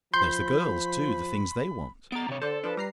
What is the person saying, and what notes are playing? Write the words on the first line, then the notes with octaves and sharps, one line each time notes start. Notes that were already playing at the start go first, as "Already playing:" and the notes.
There's the girls, too--the things they want!
F3 B5 C6 G6
B3 A#5 D6 A6
C3 C#5
D3 A4 C5 D5
F3 D4 B4
G3 A#5 C7